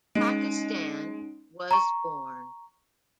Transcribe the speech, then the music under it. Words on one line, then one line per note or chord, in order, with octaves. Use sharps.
Pakistan, was born.
G#3 C#4 D#4 D7
A#5 C#6